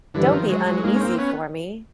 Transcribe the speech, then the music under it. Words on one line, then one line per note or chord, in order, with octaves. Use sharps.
Don't be uneasy for me!
G2 D3 E3
D#3 F3
F#3 G#3
F#3 G#3
G#2 G#3 A#3
C#4
A#3 C4
B3 C#4